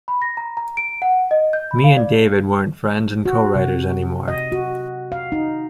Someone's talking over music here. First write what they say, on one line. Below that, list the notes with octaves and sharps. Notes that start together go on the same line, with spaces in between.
Me and David weren't friends and co-writers anymore.
B5
A#6
A#5
A#5
D7
F#5
D#5
G6
B5
F5
D5
F#4
C3
D#5
F#4
F5
D#4